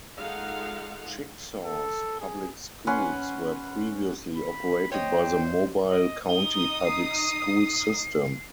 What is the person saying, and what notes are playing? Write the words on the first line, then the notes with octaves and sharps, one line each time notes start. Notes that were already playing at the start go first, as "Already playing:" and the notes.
Chicksaw's public schools were previously operated by the Mobile County Public School System.
G#3 D#4 F4 A4 F5 F#5
A4
G#4
C#4 B4 F#5 C6
B5
C5 C#5 D#5 G5
D#5
D#4 D#6 G7
C7